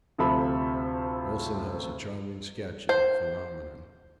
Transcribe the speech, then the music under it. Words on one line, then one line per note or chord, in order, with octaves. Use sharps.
Wilson has a charming sketch of the phenomenon.
D2 C3 F3 A4 E5 B5
C5